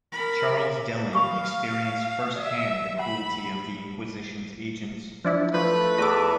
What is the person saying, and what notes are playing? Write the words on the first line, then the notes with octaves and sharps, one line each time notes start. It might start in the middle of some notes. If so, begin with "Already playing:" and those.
Charles Dellon experienced first hand the cruelty of the Inquisition's agents.
A#4 B5
F5 B5 C#6 D#6
D5 E5
F#5 B5
F3 D4 E4
F3 A3 B4
E2 B3 A4 D#5 E5 D6